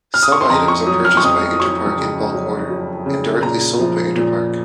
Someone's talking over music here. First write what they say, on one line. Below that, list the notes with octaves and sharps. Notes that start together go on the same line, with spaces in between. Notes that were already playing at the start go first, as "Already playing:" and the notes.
Some items are purchased by Interpark in bulk order, and directly sold by Interpark.
F6
D#6
C#6
C6
F2 A#5
C#6
F#3 D#6
F6
C#6
F2 D#6
F#3 C#6
C#3
F#3
F#3
C#3
A#2 A#5
F3
A#2